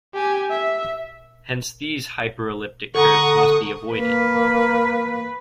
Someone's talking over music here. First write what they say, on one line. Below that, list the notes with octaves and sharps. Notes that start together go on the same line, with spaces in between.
Hence these hyperelliptic curves must be avoided.
G4 G#5
E5
D3 A4 F#5 A#5 C#6 D#6
A#3 B4